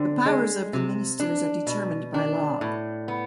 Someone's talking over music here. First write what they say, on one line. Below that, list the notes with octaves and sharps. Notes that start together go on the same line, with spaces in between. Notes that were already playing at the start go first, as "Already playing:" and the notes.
The powers of the ministers are determined by law.
Already playing: D3 C4
G#3
C3
D4
B2
D4
A2
B3